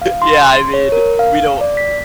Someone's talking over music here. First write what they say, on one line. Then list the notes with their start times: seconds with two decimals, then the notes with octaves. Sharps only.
yeah, I mean, we don't
0.02 F5
0.22 C6
0.74 C#5
0.92 A#4
1.19 F5
1.61 D5
1.77 B6